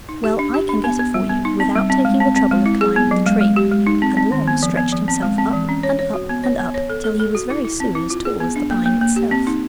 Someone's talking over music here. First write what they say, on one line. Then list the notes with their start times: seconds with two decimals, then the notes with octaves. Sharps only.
Well, I can get it for you without taking the trouble of climbing the tree,' and Long stretched himself up and up and up, till he was very soon as tall as the pine itself.
0.09 D#4
0.24 G4
0.39 D4
0.54 G4
0.69 D4
0.84 B3
0.99 B3
1.14 G3
1.30 B3
1.45 D#4
1.60 C4
1.75 G3
1.90 C4
2.05 G#3
2.20 C4
2.36 C4
2.51 G#3
2.66 E4
2.81 G#4
2.96 B3
3.11 F#3
3.26 G#3
3.41 G#3
3.56 G4
3.72 G#3
3.87 D#4
4.02 C4
4.17 C4
4.32 D#3
4.48 B3
4.63 F3
4.77 B3
4.93 F3
5.08 C4
5.22 G#3
5.38 C4
5.53 E3
5.69 C#4
5.83 C#5
5.99 C#5
6.14 F#4
6.29 B3
6.44 C#5
6.59 B3
6.74 C#5
6.90 A4
7.04 A4
7.20 A4
7.35 F#4
7.50 E4
7.65 E4
7.80 C4
7.95 E4
8.10 F4
8.25 G#4
8.40 B3
8.56 D4
8.71 A#3
8.86 A#3
9.01 A#3
9.16 G4
9.31 C4
9.47 D#4